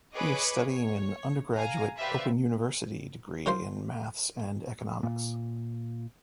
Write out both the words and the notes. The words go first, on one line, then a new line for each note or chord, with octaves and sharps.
He is studying an undergraduate Open University degree in maths and economics.
G#4 B4 C#5 D#5 D6 D#6
C#5
F5 G#5 A#5
G4 B4 C5 D5 E5 F5
F#3 A#4 C5 F5 C6
A#2